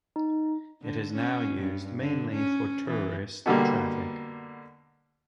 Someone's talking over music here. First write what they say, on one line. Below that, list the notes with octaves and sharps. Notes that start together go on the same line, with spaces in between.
It is now used mainly for tourist traffic.
D#4
D3
C#4
G2
D3
C#4
E3
B2 D3 G3 A#3